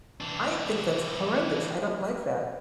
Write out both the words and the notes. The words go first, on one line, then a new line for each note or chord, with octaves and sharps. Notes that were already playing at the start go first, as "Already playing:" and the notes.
I think that's horrendous. I don't like that.
E3 D4